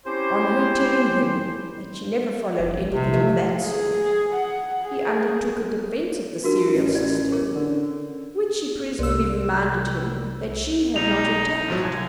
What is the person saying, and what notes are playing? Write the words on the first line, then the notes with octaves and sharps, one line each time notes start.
On her telling him that she never followed anything of that sort, he undertook a defence of the serial system, which she presently reminded him that she had not attacked.
C4 C#4 E4 G4 C5
F#1
A#1
D2 C3
D2 F3 A3 E5
G#4
F#5
G#4
D4 F4 F#4 A#4
A1 C#4
C#4 D5 D#5
G#4 A#4 C#5
D3
C2 E6
B1 D#4 F7
A1 F3 F#3
C2 G#5